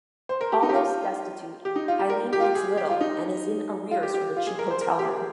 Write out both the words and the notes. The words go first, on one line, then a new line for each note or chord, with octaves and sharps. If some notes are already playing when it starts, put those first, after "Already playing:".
Almost destitute, Eileen eats little and is in arrears for her cheap hotel room.
C5
A#4
G4
D#4
G4
F4
G4
D#4
F4
G4
A#4
G4
F4
G4
G#4
G4
F4
D#4
F4
G4
G4
F4
G#4
A#4
C5
A#4
G4
G#4